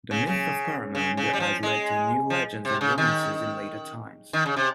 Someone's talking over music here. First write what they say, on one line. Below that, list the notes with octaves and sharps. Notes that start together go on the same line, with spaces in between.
The myth of Pharamond has led to new legends and romances in later times.
C#3
C#3
C#3
C#3
G3
F3
G#3
F3
C3
C#3
D#3
D#3
C#3
C3